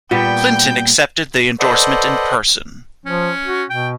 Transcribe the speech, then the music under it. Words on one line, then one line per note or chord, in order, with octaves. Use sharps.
Clinton accepted the endorsement in person.
A#2 G3 B3 G5
A4 B4 C5 D5 D#5 F#5
F3 C#4
F#4
B2 G5